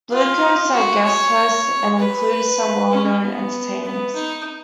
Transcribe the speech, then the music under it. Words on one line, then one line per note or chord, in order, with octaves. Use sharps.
Bluecoats are guest hosts and include some well-known entertainers.
F4
F#4
C#5
B4
C#4
B3
B3
D#4